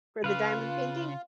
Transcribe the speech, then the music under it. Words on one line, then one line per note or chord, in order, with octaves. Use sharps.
for the diamond painting?
C#3 F4 B4 F5